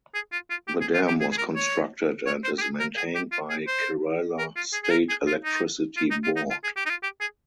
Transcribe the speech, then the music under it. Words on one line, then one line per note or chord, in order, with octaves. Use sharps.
The dam was constructed and is maintained by Kerala State Electricity Board.
G#4
F4
F4
G4
G#4
F4
G4
G#4
G#4
A#4
C#5
C#5
C5
G4
G#4
A#4
G#4
G4
F4
G#4
C5
A#4
F4
G#4
G#4
A#4
G#4
F4
D#4
F4
D#4
F4
D#4
F4
G#4
G4
D#4
F4
G4
G#4